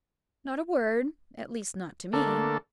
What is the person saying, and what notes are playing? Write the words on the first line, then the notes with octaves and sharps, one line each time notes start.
"Not a word--at least not to me."
D3 A3 A#3 A4